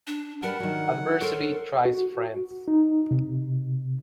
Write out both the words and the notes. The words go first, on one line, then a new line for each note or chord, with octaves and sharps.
Adversity tries friends.
D4
G3 A#4 B4 F#5 A5
D#3 F#3
A4 A#4 C5 C#5
F#4
D#4
C3